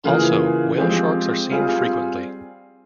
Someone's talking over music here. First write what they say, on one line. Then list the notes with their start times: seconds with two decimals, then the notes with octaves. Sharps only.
Also Whale Sharks are seen frequently.
0.04 C#3 E3 A#3 F4 G#4
0.78 F3 G#3 C4 G4
1.51 G3 C4 F4 G#4